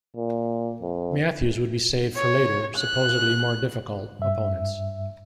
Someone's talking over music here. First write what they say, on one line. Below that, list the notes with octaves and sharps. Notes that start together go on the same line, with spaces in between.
Matthews would be saved for later, supposedly more difficult, opponents.
A#2
F2
C#5
F#6
G2 E5